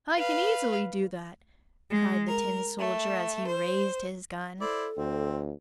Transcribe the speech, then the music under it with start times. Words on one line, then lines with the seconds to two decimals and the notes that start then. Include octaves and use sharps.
"I can easily do that!" cried the tin soldier, as he raised his gun.
0.15 B4 F5
1.91 G#3
2.28 A#4
2.79 A3
3.46 C5
4.61 E4 A4 C5 D5
4.98 D2 C4